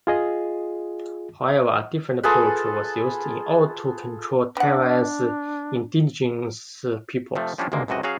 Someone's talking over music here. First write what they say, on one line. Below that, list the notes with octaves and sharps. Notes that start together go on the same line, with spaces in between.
However, a different approach was used in order to control Taiwan's indigenous peoples.
F4 G#4 D#5
F4 G#4 A4 B4
B3 D4 F#5
C3 F3 A3
F3 G3 C#4 D4 E4 F4
D2 G2 C3 F#3 G#3 A#3
C#2 F#2 C3 F#4 D#5
F#3 C#4 F#4 G#4 F5